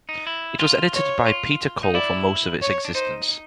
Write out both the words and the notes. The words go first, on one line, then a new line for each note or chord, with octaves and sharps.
It was edited by Peter Cole for most of its existence.
D#4
E4
F4
C#5
F4
D#4
E4 D5
C#5
D4
D#4 C5